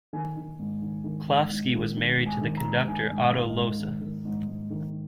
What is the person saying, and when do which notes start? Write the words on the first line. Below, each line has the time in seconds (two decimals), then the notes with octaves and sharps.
Klafsky was married to the conductor Otto Lohse.
0.13 D#3 G#5
0.36 D#3
0.59 G#2
0.82 D#3
1.04 D#3
1.27 G#2
1.51 G#2
1.74 D#3
1.96 D#3
2.19 G#2
2.26 G#5
2.41 D#3
2.57 A#5
2.65 G#2
2.88 D#3 G#5
3.08 G#2 G#5
3.18 F5
3.33 G#2
3.49 D#5
3.56 G#2
3.79 D#3
4.01 D#3
4.25 G#2
4.48 G#2
4.70 D#3